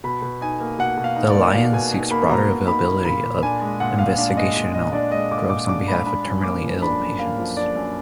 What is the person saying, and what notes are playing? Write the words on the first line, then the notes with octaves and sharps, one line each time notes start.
The Alliance seeks broader availability of investigational drugs on behalf of terminally ill patients.
B2 B5
B2
D#4 G#5
A#3
B2 F#5
B2
F5
D#4
D5
A#3
B2 F5
B2 G#5
D#4 G#5
A#3 B5
B2 A#5
B2
D#4 B5
A#3
A#2 B5
A#2
D4 G#5
G#3
A#2 F#5
A#2 F5
D4 F5
G#3 D#5
A#2
A#2 D#5
D4 D5
G#3 D#5
A#2 D6
A#2 D6
D4 D6
G#3 B5
D4 B5
F#2
A#3 D6
F3
D4 B5
F#2
A#3 F5
F3
D4 D5
F#2